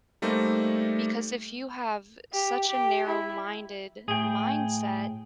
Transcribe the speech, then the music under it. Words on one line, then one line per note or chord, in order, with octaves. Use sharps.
because if you have such a narrow-minded mindset,
G3 A3 A#3 D#4 C5
G4
G4
E4
A2 G#4 G5